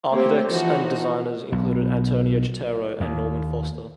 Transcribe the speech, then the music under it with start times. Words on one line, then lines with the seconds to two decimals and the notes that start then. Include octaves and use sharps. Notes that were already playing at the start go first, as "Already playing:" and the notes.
Architects and designers included Antonio Citterio and Norman Foster.
0.11 A3 A#3 C4 G4 C#5 G5
0.49 E3 F3 D#4 F#4
1.52 B1
3.00 D#2